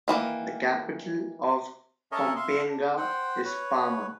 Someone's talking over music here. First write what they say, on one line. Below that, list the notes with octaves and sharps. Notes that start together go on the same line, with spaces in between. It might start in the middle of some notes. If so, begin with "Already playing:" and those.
The capital of Kompienga is Pama.
D#3 E3 G3 A#3
C#4 A4 A#4 C#5 D#5 E5
E5 F5 C6
D4
C5 F#5 G5
B4 C#5